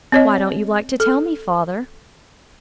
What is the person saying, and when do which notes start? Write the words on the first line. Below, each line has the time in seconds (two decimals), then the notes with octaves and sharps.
'Why don't you like to tell me, father?
0.12 C4 C#5 D#5
1.00 A4